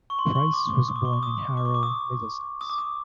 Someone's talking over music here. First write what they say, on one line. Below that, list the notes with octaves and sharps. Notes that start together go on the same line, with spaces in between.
Price was born in Harrow, Middlesex.
C#6
C6
C#6
D6
C#6
D#6
D6
C#6
D6
D#6
D6
C#6
D6
D#6
D#6
D6
D#6